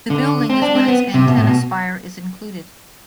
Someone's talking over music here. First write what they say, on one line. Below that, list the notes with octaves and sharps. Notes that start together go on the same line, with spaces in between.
The building is when its antenna spire is included.
D3
C4
D4
C4
B3
C3
B2
A2
B2